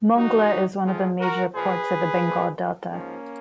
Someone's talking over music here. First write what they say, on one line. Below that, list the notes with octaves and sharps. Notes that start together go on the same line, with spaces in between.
Mongla is one of the major ports of the Bengal delta.
F2 F3 D#4 F#4
F2 F3 F4 G#4
F#4 A#4
A#2 F3 G#4 B4
A#2 F3
G#2 F3 A#3 C#4